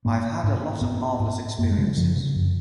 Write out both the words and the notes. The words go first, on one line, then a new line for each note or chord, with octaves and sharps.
I've had a lot of marvellous experiences.
G#2 A#3
G#2
G#2 B3
G#2
F#2 A#3
G#3
C#3
F#3
F#2 F3
C#3
F#2